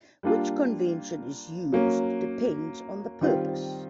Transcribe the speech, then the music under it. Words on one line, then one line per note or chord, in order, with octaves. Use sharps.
Which convention is used depends on the purpose.
G3 A#3 D4 F4
F#3 A#3 C#4
D#3 G3 C4 F4